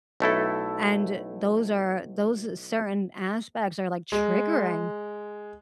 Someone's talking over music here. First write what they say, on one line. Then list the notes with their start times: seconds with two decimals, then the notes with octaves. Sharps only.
and those are those certain aspects are, like, triggering.
0.20 B1 A3 E4 A4
4.12 G#3